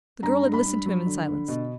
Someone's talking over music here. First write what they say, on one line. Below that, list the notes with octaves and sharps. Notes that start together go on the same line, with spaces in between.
The girl had listened to him in silence.
G2 A#5
G2
B5
G2
F#3
D3
D3
B2